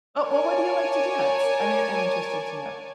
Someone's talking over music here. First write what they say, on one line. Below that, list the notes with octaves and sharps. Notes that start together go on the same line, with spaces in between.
Oh, wha what do you like to dance? I mean, I'm interested to know.
A#4 C#5 D5 G#5 A5